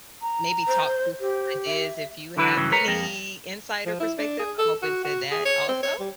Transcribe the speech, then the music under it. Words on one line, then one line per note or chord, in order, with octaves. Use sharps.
maybe talk through some ideas if you have any insight or perspective, I'm open to that also.
A#5
C5
G4 C5
E5
D3 E3 E4 B4
G2 C#3 E3 F#3
A#4 B4 C#5 A#5
F2 A#3
F3
E4
D4
G#4
A4
F#4
F#4
G#4
C#5
C4
C#5
G3